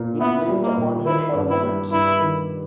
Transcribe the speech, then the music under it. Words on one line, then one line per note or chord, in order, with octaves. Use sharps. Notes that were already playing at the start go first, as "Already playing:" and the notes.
It blazed upon her for a moment.
Already playing: A#2 A#3
B3 E4
G3
A#3
A#2
D#3 E4
G2
E4
G3
G2 E4
D#3